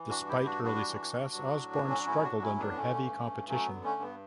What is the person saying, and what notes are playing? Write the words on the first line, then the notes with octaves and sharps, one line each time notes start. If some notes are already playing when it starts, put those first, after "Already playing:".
Despite early success, Osborne struggled under heavy competition.
Already playing: E3
D4 F#4
G2
E4 G4
G2
D4 F#4
G3 D4 F#4
E3
G2
F#3
A2
A3
F#3 B3
C#4
D4
A2 C#4 E4
D4 F#4
F#3
C#4 E4
A2
B3 D4
B3
D3 A3 C#4
G2
G2
F#3 A3 C#4
B3
D3
A3 C#4
G2
B3